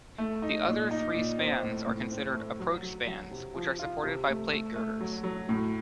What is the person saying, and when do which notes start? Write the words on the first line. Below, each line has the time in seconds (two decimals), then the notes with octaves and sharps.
The other three spans are considered approach spans, which are supported by plate girders.
0.18 A3
0.42 D#4
0.66 A#2
0.91 D#4
1.15 A#2
1.39 C4
1.63 A2
1.87 A2
2.12 C4
2.35 A3
2.60 F#3
2.83 F#3
3.07 F#3
3.31 C3
3.55 F3
3.79 F4
4.03 C3
4.28 A3
4.51 A3
4.76 A3
5.01 F#3
5.24 F#3
5.49 A2